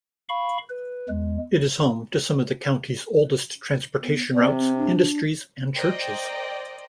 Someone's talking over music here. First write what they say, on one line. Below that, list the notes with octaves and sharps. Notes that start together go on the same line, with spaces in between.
It is home to some of the county's oldest transportation routes, industries and churches.
F5 B5 C#6
B4
E2 G#3
B3
C3 D5
C4
D4
A#4 C5 D5 D#5 G5